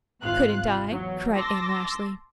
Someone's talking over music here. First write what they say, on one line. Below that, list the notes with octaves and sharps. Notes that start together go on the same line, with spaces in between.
"Couldn't I?" cried Anne rashly.
G#1 C3 F4 F5 F#6
E2 F#3
A5 C6 D6 E6 A#6